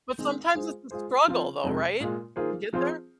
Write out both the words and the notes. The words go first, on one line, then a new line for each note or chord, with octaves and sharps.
But sometimes it's a struggle, though, right, to get there?
D#3 G#3 C4
G#3 F4 G#4 C5
G#3 F4 G#4 C5
F3 C4 F4
F2 C3 G#3
A#2 G#3 F4
D#3 A#3 F4 G#4 C5
F3 C4 F4 G#4 C5